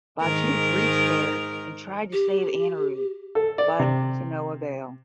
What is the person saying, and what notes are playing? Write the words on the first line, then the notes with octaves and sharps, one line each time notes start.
Batuk reached there and tried to save Anirudh but to no avail.
G#2 D#3 A#4
G4
A4
D5
C3